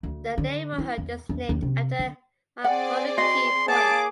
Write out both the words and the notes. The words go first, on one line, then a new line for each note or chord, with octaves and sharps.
The neighborhood is named after Makonikey point.
D2
D3
E4
E2
E2
D#2
C3
D3
C4 G#4 D5 F#5
F#4 D#5 C6
A#3 G#4 C#5 A5 D6